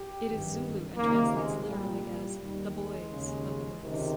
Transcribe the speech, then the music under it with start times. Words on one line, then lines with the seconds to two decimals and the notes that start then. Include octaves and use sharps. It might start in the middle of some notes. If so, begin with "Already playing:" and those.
It is Zulu and translates literally as "the boys, the boys".
Already playing: G4
0.26 G#1 G2 D#3
0.96 C#2 C3 D#3 A#3
1.33 G#3
1.68 C2 A#2 G3
2.04 G3
2.39 D#2 D#3 G3
2.74 G#3
3.10 D#2 C#3
3.82 C#2 C3 D#3